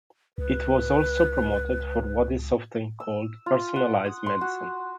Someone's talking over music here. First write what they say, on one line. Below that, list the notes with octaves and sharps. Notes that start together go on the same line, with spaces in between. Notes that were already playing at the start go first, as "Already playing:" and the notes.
It was also promoted for what is often called Personalized Medicine.
C#2 B4
E6
F4
F#5
D#6
C6
F#4